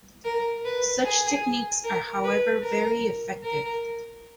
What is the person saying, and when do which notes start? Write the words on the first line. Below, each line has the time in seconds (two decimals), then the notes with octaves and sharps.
Such techniques are however very effective.
0.25 A#4
0.65 B4
1.05 G#4
1.84 A#4
2.24 B4
2.63 A#4
3.43 A#4